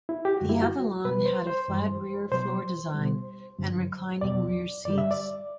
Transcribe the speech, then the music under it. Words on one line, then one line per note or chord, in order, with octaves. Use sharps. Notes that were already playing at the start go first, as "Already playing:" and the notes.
The Avalon had a flat rear floor design and reclining rear seats.
E4
G4
F#2 D3 G3 F#4
E4
F#4
B2 G3 B4
C5
C5
G2 E3 G3
B2 F#3 C5
B2 G3
G2 D3 F#3
E2 B2 F#3 D5
G2 D3 G3 D5
E5
D5